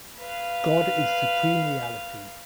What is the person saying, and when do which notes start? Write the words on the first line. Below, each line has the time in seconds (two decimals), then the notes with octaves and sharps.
God is supreme reality.
0.18 B4 F5